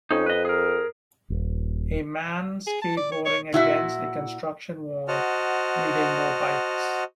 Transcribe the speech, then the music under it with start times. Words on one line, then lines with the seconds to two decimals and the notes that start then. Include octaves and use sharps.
A man skateboarding against a construction wall reading No Bikes.
0.11 F2 C#4 D#4
0.26 B4 D#5
0.45 G#4 A#4
1.30 D#1
2.67 G#4
2.82 A5
2.97 D5
3.12 C#5
3.25 C#5
3.53 A#2 E4 F#4 E5
5.08 F#4 C5 D#5 F#5 A5 F6